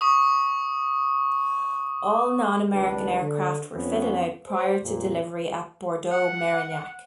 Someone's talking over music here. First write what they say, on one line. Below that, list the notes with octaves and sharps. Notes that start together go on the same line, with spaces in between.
All non-American aircraft were fitted out prior to delivery at Bordeaux-Merignac.
C#6 D#6
G#1 C#2 G#2 G3 D4 B4
D3
F2 B3 C#4
C5
F2 A#2
F#5